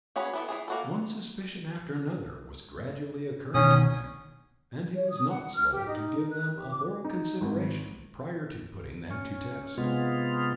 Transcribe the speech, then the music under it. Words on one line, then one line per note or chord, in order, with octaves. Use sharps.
One suspicion after another was gradually occurring to him, and he was not slow to give them a thorough consideration prior to putting them to test.
C#4 F#4 G#4 B4 C#5
B3 E4 A4
E3 F3 G#4
A#3 F#4 A4
B2 D3 D#3 C#4 D#6
C#5
D#6
F#5
F6
G4
D#4
F#6
G4
D6
D#4
G#1
C#4
C3 G#3 B3 F4